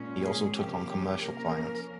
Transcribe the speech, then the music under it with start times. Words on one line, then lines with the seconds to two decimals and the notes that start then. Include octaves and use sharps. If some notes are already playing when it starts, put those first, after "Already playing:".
He also took on commercial clients.
Already playing: A#2 G#3 C#4
0.19 G#4
0.54 C3 F3 A#3 C#4 G4
1.23 F3 A#3 C#4 A#4